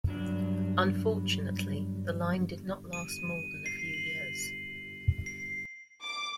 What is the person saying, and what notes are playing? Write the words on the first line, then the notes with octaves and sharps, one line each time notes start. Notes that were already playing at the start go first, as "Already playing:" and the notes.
Unfortunately, the line did not last more than a few years.
G2 F#3 D4
D#7
C7
F#7
C7
D6